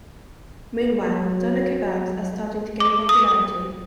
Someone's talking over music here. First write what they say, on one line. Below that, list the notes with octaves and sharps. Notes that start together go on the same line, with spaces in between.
Meanwhile, Doner kebabs are starting to gain popularity.
F#3
D6
D#6